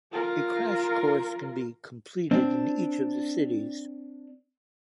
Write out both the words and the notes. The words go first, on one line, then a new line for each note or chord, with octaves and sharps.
A "Crash Course" can be completed in each of the cities.
F4 A#4
C4 D4